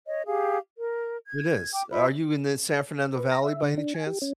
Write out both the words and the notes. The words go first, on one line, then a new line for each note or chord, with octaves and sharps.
It is, are you in the San Fernando Valley by any chance?
C#5 D#5
G4 G#4 F5
A#4
G#6
G5 D6
F4 C5 E5 B5
B4
A#5
E5
D3
D4
G#5
G4
C#4